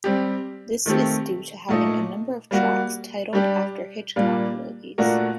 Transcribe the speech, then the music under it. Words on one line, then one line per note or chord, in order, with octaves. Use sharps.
This is due to having a number of tracks titled after Hitchcock movies.
G3 C4 G4
D#3 A3 C4 G4
A#2 A3 D#4
G3 A#3 F#4
G3 D4 G4
A#2 G3 A#3 D4
A#2 A3 D4 F#4 A#4